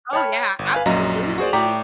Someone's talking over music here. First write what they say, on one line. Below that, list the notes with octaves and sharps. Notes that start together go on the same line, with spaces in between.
Oh, yeah, absolutely!
C#5 G5 A5 B5 F6
G1
B4 F5 G#5
A#1 F#2 F#3 D#5 A#5
F#4 G#4 C5 D5
A2 D5 G5 A#5 D6 B6